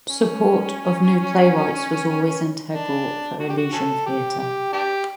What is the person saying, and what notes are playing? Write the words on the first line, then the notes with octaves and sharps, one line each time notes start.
Support of new playwrights was always integral for Illusion Theater.
C#4
D4
F#4
G4
F#4
C#4 F#4 A4
G4
G4
D4 G4